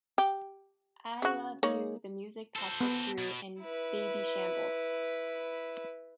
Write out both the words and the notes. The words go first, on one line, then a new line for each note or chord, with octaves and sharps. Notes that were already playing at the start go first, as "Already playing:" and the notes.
I love you, the music, Patrick, Dru and Babyshambles.
G4
C#3 F#4
A#3 D#4 C#5
A4 C5
B3
B2
E4 B4